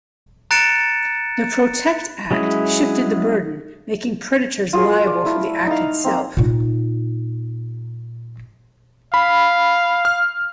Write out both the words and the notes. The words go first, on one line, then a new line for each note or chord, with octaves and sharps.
The Protect Act shifted the burden, making predators liable for the act itself.
A#5 F#6 A6 C#7 D7 E7
F#3 G#3 C#4 E4 G#4
F4 F#4 G#4 A#4
D5
A3 E4
D#4 F5
A#3 C4
A#2 D#4
F5 B5
F6